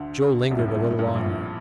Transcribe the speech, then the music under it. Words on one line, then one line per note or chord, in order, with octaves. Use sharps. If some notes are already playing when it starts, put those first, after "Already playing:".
Joe lingered a little longer.
Already playing: D2 D3
C2 C3
A2
G2
A2
G2
A2
G2
A2
A#1 A#2
A2